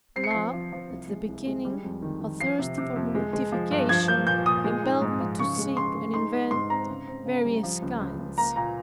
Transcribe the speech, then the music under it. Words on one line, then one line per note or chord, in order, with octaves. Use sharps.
Love, at the beginning, athirst for mortification impelled me to seek and invent various kinds.
C4 C7
C#7
F3 C7
F3
F3
C2
G#3
C2
G#3
G3
F2
D#3
D#3
F3 C7
C3
C3
F2
G#3
G#3
F3
G2
F3 G#6
A#3 G6
A#2 G6
A#2 D#6
G#3
D#4
G#2
F3
C#3 C#6
G#3
C#3 C6
G#3
D#4 C6
D#4
G#2 C6
C4 A#5
C#3
C4
C#3
G3
F3
C#2
C#2
C#2
A#3 A#5
A#2 A#5